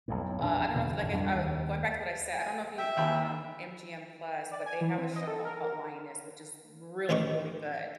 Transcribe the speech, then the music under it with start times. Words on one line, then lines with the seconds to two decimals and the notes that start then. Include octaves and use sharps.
uh, I don't know if like I uh going back to what I said I don't know if you, um, MGM Plus but they have a show on called Lioness, which is really, really good,
0.08 B1 F2 A2
0.41 A#1 E2 D4
0.74 E2 G2 B2 D3
0.96 A#1 E2 G#2 C#3
1.13 F2 G3 D4
1.35 D#2
2.41 G#5
2.78 E5 G5
2.97 D#2 G5 B5
4.52 D5
4.66 G#5
4.81 E3
4.98 C4
5.16 D#5
5.28 A4
5.45 A#4
5.64 A#4
7.09 A1 D2 D#3 G4 B4 C#6